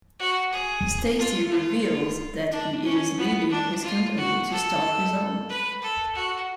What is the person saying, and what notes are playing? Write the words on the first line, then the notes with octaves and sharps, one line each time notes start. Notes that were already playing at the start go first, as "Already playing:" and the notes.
Stacy reveals that he is leaving his company to start his own.
F#4
G#4
F4
F4
D4
C#4
B3
D4
F4
F#4
A4
B4
A4
F#4